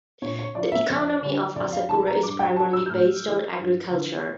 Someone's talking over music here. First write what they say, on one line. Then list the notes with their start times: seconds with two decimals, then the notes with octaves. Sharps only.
The economy of Asakura is primarily based on agriculture.
0.22 A#2 C#5
0.39 C#5
0.55 F3 D5
0.72 E5
0.89 F2
1.22 D3 G3
1.56 F2 D5
1.72 F5
1.89 E3 G3 A5
2.07 A#5
2.23 G2 D6
2.39 G5
2.56 F3 A5
2.73 E6
2.86 G6
2.90 A2 F6
3.23 E3 G3
3.57 G2
3.90 D3 F3